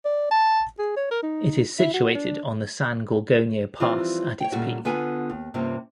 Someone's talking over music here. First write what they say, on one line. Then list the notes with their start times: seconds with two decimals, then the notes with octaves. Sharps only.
It is situated on the San Gorgonio Pass at its peak.
0.05 D5
0.31 A5
0.79 G#4
0.97 C#5
1.11 A#4
1.23 D#4
1.79 E4
1.94 F#4
2.15 D4
3.80 E3 F3 G3 C4 F4
4.40 C#5 G5
4.52 A#2 C#3 G3 A3 A#3 F#4
4.85 D3 B3 F4 B4 G#5
5.30 D#2
5.54 G2 C3 A#3 C4 C#4 F4